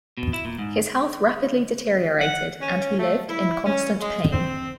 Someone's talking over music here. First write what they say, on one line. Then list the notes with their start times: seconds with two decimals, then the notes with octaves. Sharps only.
His health rapidly deteriorated, and he lived in constant pain.
0.17 B2
0.33 E4
0.45 A#2
0.58 G#2
2.21 F#5
2.61 C#4
2.99 A3
3.29 E4
3.66 C#4
4.00 G#3
4.32 C4